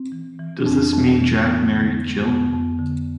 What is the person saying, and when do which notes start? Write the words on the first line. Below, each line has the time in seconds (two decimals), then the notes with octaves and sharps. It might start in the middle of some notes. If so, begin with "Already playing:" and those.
Does this mean Jack married Jill?
Already playing: C4
0.12 E3
0.39 E3
0.61 D4
0.66 F2 C4
0.93 F2
1.19 E3
1.45 F2 B3
1.73 D3
1.99 D3
2.26 F2 B3
2.53 F2
2.79 D3